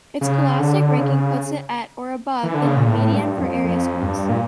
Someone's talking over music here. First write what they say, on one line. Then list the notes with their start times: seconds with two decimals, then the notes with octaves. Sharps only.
Its scholastic ranking puts it at or above the median for area schools.
0.21 C#3
0.59 D3
0.98 C#3
2.43 E3
2.54 D3
2.65 C#3
2.77 A#2
2.87 A2
3.12 G2
3.38 F2
3.63 F2
4.02 G2
4.29 A#2